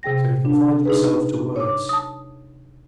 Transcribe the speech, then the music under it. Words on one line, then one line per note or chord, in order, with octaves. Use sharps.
So he confined himself to words.
C3 G#4 G5 A#6
D4
D#4 G#4 B4
C#5 D6
A5 D#6